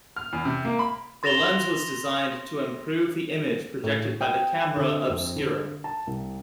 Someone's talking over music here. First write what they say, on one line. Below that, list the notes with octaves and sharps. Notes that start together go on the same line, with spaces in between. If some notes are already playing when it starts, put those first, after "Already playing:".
The lens was designed to improve the image projected by the camera obscura.
F6
E2
C3
A#3
B5
C6 A6 A#6 E7 F7 G7
A2
G5
D3
F2
D3
A5
C2